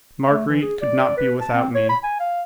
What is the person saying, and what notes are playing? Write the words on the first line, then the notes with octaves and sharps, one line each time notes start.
Marguerite could not be without me.
A3
E3
G#4
D5
B4
A5
C4
C#5
B5
G#5
F5